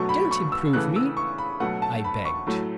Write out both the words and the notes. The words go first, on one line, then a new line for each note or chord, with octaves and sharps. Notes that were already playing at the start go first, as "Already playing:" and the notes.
"Don't improve me," I begged.
Already playing: B2 F#3 A3 C#6
B5
C#6
E6
C#3 E3 A3 F#6
E6
C#6
B5
B2 F#3 A3 F#5
A5
B5
C#6
A2 F#3 A3